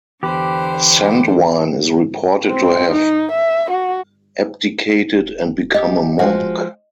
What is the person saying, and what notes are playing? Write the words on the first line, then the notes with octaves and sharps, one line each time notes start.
Centwine is reported to have abdicated and become a monk.
E2 D3 G4 B4 C5
C4
D#4
E5
F#4
D#1
G4 D#5
F3 G#3 F#4